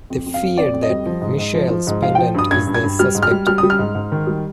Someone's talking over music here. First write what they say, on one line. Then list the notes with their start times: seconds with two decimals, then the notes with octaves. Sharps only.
They fear that Michelle's pendant is the suspect.
0.10 F2
0.26 F2
0.34 F5
0.42 F2
0.58 F2 D5
0.73 F2
0.82 D#5
0.90 G3
1.06 F3
1.22 G#2
1.38 G#2
1.55 F3
1.70 F3
1.87 G#2
2.02 F3 F5
2.15 F3 G5
2.35 G2 D#6
2.51 G2 G#6
2.67 G2
2.74 G#6
2.83 G2
2.99 G3 F6
3.15 G#2
3.23 F6
3.31 G3
3.47 G3 F6
3.58 D#6
3.63 G3
3.70 F6
3.79 G#2
3.95 G#2
4.12 D#3
4.27 G3